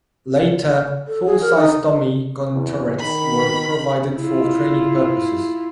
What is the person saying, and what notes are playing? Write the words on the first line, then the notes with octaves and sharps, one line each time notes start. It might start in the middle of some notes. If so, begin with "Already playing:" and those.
Later, full-sized dummy gun turrets were provided for training purposes.
A4
G#4
A#4
D#4
E2
D#3 B5
E4 F4